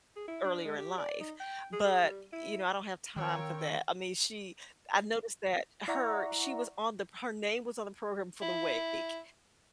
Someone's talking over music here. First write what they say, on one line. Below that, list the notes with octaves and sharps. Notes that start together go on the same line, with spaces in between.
earlier in life, but, you know, I don't have time for that. I mean, she I've noticed that her she was on the her name was on the program for the wake,
G#4
E4
D4
G#3
G4
D5
D#4
G5
G#4
G#4
G3
E4
D#3 C4 F4 A#4 C#5 G5 E6
E4 D5 E5 F#5 A#5 C#6
E4